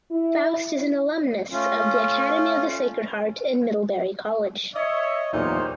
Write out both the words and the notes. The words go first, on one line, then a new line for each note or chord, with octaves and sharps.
Faust is an alumnus of the Academy of the Sacred Heart and Middlebury College.
E4
A3 C#4 F4
C#5 D#5 E5
E2 A#2 F#3 D#4 F4 G4 C5